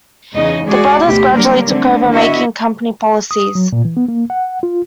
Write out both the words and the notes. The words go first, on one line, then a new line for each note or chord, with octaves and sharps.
The brothers gradually took over making company policies.
E2 C#3 D#4 D#5
G#3 F#4 G#4 D5
D2 B2 G4
D3 F#3 G3 A#3 A#4
D3 A3 C4
D3 B3 E4 F#4 D#5 E5
D#6
F#3
A#2
E3
B3
A#3
F#5
F4